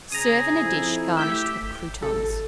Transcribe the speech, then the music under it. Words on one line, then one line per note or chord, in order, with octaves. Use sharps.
Serve in a dish garnished with croutons.
C#3 G#4 A#5 D#6
F2 E4
A3 G4 E6 G6 B6
G#1
A4